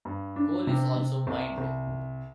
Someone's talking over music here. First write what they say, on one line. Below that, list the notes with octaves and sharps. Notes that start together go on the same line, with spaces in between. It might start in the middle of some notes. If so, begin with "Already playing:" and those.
Coal is also mined.
G2
D4
C3
C3
C2
C2